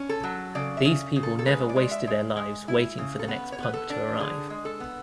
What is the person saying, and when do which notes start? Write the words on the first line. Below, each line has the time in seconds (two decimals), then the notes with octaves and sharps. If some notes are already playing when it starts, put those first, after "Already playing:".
These people never wasted their lives waiting for the next punk to arrive.
Already playing: C#4
0.09 A4
0.23 F#3
0.55 C#3 D5
0.77 E5
0.85 C#3
1.16 C#3
1.23 A4
1.39 A4
1.46 G#3 B4
1.69 D5
1.76 G#3
1.91 E5
2.07 G#3
2.37 G#3
2.68 E4
2.98 C#3
3.19 A4
3.28 B3 B4
3.52 C#5
3.58 B3 B4
3.74 A4
3.90 D4
4.20 D3 G#4
4.50 G#3
4.65 A4
4.80 B3